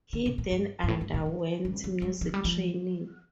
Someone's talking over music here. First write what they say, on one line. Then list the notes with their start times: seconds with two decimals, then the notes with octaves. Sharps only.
He then underwent music training.
0.13 D3
0.26 C3
0.38 A#2
0.51 G2
0.83 G2
0.88 A2
1.01 G2
1.14 A#2
1.26 F3
1.65 G3
1.84 F3
2.02 G3
2.21 F3
2.34 G3
2.45 F3